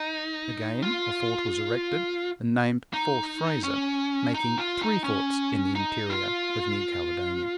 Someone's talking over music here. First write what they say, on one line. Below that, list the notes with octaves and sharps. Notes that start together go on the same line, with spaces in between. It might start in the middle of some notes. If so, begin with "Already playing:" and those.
Again a fort was erected and named Fort Fraser, making three forts in the interior of New Caledonia.
Already playing: D#4
F4
D#4
C#4
D#4
F4
D#4
C#4
D#4
F4